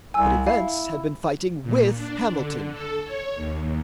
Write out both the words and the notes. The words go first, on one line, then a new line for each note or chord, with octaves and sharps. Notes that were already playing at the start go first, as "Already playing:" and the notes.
But events had been fighting with Hamilton.
C2 G#5 E6
E4 F5
A#2
D4
D3
A4
C#5
D#2